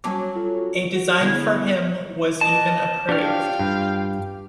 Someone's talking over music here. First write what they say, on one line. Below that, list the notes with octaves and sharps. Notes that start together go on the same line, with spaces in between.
A design for him was even approved.
F#3 G3 C#4 A5 D6
F4 A4
F#4
D3 B3 E4 G#4 D#6
A#3 B4 D#5 A5
D4 F4 G4 C#5 F5 G5 F6
G2